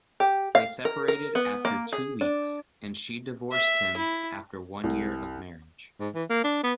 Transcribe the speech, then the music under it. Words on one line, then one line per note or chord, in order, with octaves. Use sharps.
They separated after two weeks, and she divorced him after one year of marriage.
G4
F5
A#4
A#4
B3
A#3
G#4
D4
E5
E4
C2
G#2
E3
A#3
D4
B3